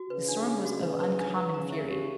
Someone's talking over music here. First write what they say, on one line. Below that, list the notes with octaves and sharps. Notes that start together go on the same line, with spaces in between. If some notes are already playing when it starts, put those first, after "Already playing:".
The storm was of uncommon fury.
Already playing: F#4
C#3 B4
D4
D4
F#4
B4
B4
D4
B4
C#3 A#5
E5
G4